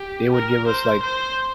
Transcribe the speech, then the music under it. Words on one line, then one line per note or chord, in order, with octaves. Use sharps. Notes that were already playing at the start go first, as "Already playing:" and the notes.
they would give us, like,
Already playing: G4
A#4
C5
C5